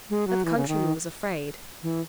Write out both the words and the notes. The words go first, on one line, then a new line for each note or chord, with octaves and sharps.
But the countryman was afraid.
G#3
F#3
E3
C#3
D#3
E3